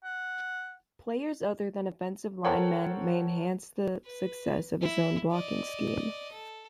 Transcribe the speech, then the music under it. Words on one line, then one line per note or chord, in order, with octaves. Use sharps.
Players other than offensive linemen may enhance the success of a zone blocking scheme.
F#5
A4 A#4 C5 C#5 F#5 G5
B4
E4
D5 D#5
A4